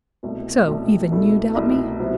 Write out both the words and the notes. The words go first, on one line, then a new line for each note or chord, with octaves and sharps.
"So, even you doubt me?"
C2 B2 A3
C2 B2 A3
C2 B2 A3 E4 A4
C2 B2 A3 E4 A4
C3 F#3 B3